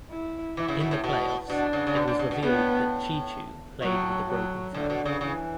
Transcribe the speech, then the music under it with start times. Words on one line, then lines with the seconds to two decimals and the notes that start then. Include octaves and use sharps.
In the playoffs, it was revealed that Cheechoo played with a broken thumb.
0.11 E4
0.57 E3 E4
0.68 C#3
0.80 B2
0.91 A2
1.04 B2
1.50 B2 D4
1.73 C#3
1.87 C#3
1.96 B2
2.08 B2
2.19 C#3
2.31 B2
2.43 A2 B3
3.82 A2 F#3
4.28 F#3
4.74 A2 D3
4.90 B2
5.06 C#3
5.21 C#3 E3